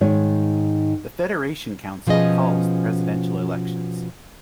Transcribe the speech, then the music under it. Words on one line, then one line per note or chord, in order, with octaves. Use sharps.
The Federation Council calls the presidential elections.
G#2 D#3 C#5
B2 F3 C#4 G#4 D#5